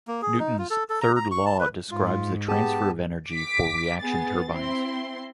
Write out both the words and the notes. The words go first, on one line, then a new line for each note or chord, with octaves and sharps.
Newton's third law describes the transfer of energy for reaction turbines.
A#3
G#4
D#4
F4
A4
A4
A#5
A#5
C#6
A5
B4
G#2 F4
B3 G4 G#4 A5
D6 B6 D7
B3 G#4 A6
C4 E4 C6